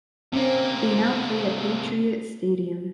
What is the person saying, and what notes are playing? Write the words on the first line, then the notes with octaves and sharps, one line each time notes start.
They now play at Patriot Stadium.
C3 A#3 C4 C#4